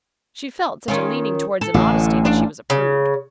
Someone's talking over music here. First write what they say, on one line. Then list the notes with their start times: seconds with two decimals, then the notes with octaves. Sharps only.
She felt such a leaning towards immodesty that she was a prude.
0.88 D#3 C#4 F4
1.61 A4
1.74 A1 A2 D3
2.25 D4 F4
2.70 C#3